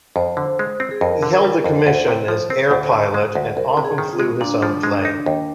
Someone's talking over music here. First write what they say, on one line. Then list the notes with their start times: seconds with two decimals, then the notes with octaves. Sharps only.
He held a commission as Air Pilot and often flew his own plane.
0.16 F2 C5
0.37 D3
0.59 G#3
0.80 C4
0.91 G#4
1.01 F2 A#4
1.23 D3
1.30 A#4
1.44 G3
1.58 A#4
1.64 F2
1.86 D2 C5
2.08 C3
2.28 F3
2.50 C4
2.71 D2
2.93 D3
3.14 G#3
3.35 D2
3.56 C2 A#4
3.77 C3
3.85 G#4
3.98 D#3
4.13 F4
4.20 G#3
4.41 A#2 D4
4.62 F3
4.83 G#3
5.05 D#4
5.26 D#2